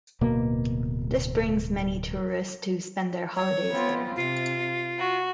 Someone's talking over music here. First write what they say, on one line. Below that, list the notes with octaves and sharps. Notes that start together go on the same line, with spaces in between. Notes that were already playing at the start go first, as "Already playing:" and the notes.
This brings many tourists to spend their holidays there.
D1 B2 A#3
C#5
B3 C4 F4
C3 F4
F#4